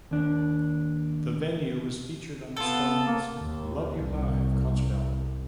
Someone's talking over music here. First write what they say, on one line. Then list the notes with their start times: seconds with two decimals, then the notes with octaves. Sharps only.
The venue was featured on the Stones' "Love You Live" concert album.
0.11 D#2 D4
2.57 B3 F4 A4
3.06 A#3
3.39 D#2
4.03 C2